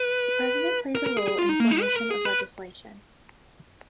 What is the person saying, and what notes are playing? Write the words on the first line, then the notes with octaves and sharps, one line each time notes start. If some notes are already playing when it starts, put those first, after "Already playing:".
The president plays a role in the formation of legislation.
Already playing: B4
A#4
A#4
G#4
G#4
F4
D#4
A#3
D#4
B4
A#4
G#4
B4